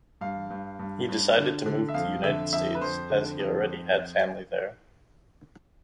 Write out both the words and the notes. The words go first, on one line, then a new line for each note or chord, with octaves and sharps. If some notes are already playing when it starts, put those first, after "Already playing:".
He decided to move to the United States as he already had family there.
G2 F5
G2
G2
G2
D3
D3
E5
F2 F5
D3 E5
F2 E5
B4
F2 C5
D3
F2